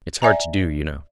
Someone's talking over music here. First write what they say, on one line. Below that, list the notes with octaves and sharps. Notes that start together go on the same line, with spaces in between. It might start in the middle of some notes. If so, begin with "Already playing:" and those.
It's hard to do, you know.
D5 E5 G#5 A#5